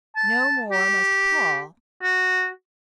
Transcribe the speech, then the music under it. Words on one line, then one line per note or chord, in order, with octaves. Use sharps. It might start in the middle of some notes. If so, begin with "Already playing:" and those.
No more must Paul.
A5
G4
F#4